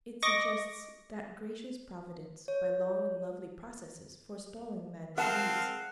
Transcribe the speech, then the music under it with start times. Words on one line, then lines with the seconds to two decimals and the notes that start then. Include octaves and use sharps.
It suggests that gracious Providence, by long and lovely processes, forestalling man's needs.
0.23 D#5 C#6 D6 A#6
2.48 C#5
5.18 G#3 C4 A#4 F5 F#5 A5